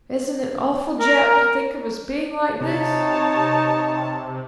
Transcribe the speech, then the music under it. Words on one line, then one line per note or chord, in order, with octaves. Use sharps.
"Isn't it awful, Jap, to think of us being like this?"
A#4
C3 D#4 C#5 A5